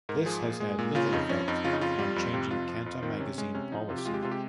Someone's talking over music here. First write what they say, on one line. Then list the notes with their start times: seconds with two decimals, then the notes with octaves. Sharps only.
This has had little effect on changing Canta Magazine policy.
0.09 G#2 A#4
0.26 F3 G#4
0.44 A#2
0.60 G#3
0.79 A#2
0.95 C#3 F4
1.12 F2 D#4
1.29 F3 C#4
1.48 F2 D#4
1.64 C#3 F4
1.73 D#4
1.81 F2 F4
1.99 G3
2.16 F2
2.33 C3 G4
2.51 F2 F4
2.68 F3
2.86 F2
3.03 D#3 C4
3.20 C3 C#4
3.38 G#3 C#4
3.54 C3 C#4
3.72 F3 D#4
3.89 C3 F4
3.98 G4
4.06 G#3 F4
4.14 G4
4.23 C3 F4
4.31 G4